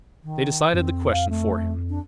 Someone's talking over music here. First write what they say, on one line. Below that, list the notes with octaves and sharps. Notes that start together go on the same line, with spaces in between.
They decided the question for him.
D#3
F2 C4
F5
A3
D4